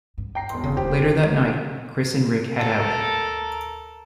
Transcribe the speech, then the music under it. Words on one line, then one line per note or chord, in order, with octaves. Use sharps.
Later that night, Chris and Rick head out.
G2
G5 A#5 C7
E1 C6
F1 C#3 C4
D#1 G4 C5
A4 A#4